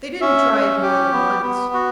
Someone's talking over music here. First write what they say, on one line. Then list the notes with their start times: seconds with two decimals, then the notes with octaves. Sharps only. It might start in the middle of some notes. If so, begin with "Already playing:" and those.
They didn't try it more than once.
0.21 C#4 E5
0.52 C#4
0.82 G4
1.12 B3
1.42 B3
1.73 F#4